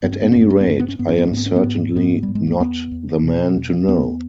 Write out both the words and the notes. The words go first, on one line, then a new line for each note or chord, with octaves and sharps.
At any rate, I am certainly not the man to know.
G2 B3
C#4
B3
G2 C#4
B3
C#4
B3
G2 C#4
B3
C#4
G2 B3
C#4
B3
G#2 C#4
B3
C#4
B3
G#2
G#2 B3
G3
G#2
G#3
A#3
E2 B3
E2
B2
E2
E2 B3